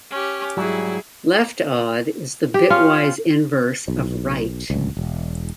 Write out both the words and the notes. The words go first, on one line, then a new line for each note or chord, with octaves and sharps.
"Left odd" is the bitwise inverse of "right".
C#4 G4
G#2 F#3 G3 E4 G#4
G4
C#4 F4
B1
D1 C#2
E1